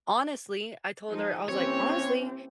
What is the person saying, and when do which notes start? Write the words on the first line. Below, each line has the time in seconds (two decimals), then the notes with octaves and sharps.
honestly, I told her, I was like, "Honestly,
1.09 F3 G#3 D#4
1.48 E3 A#3 C4 C#4 G4 C#5